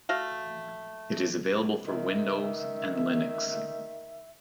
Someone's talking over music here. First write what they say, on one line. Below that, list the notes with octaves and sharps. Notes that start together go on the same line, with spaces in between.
It is available for Windows, and Linux.
A3 F#4 F5
D#3 E5